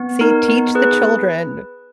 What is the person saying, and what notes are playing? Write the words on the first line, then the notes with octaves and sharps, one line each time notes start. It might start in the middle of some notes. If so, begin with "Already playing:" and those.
See, teach the children.
Already playing: B3
D#4 A#4
B3
G#4 B4